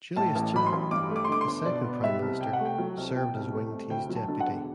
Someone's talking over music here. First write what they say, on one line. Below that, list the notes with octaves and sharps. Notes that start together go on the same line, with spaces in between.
Julius Chan, the second Prime Minister, served as Wingti's deputy.
A2 A5
A1
F#3 B5
C6
A1
G2 D6
A3
D6
C6
D3 D6
C6
G1
B2 D5
B3
G3 E5
C2
C3 G5
F#5
A3
G5
F#3
C2
B2 G5
C2
A3
C2
D2 G5
F#3
A5
D3
F#5
E1